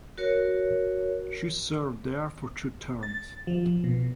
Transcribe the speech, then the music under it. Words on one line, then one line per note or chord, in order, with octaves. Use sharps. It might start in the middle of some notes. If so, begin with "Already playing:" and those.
She served there for two terms.
F#4 A#4 C#5
A6
F3
B2